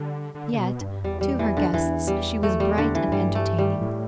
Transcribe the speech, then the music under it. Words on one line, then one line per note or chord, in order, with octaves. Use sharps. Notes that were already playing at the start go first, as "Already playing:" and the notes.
Yet, to her guests she was bright and entertaining.
Already playing: D3 G3
D3
D3
B2
G2
E2 G3
G3
E3
D3
E2 E3
G3
A3
G3
D3
E3
E2
G2 G3
A3
G3
A2